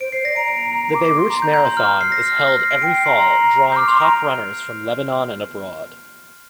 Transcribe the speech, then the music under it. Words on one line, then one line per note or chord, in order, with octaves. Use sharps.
The Beirut Marathon is held every fall, drawing top runners from Lebanon and abroad.
C5 D7
C5 C7
D5 A#6
A#5 D7
D7
D6
D6
C6
A#5
A#5 G6
G6
C6
F6
C7
A#6
F6
F6
A#6
C7
D7
G5 D7
C7
A#5 C6
C6
G6
D6 F6
C6 F7
A#5 D7